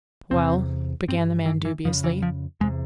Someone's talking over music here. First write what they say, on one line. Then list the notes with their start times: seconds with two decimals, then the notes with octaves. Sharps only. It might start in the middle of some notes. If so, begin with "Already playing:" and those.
"Well--" began the man dubiously.
0.31 E2 C3 C4
1.08 G2 C4
1.46 E3
1.65 E3
1.85 F2 C#3 F3
2.04 E3
2.22 F3
2.61 E2 C3 G#3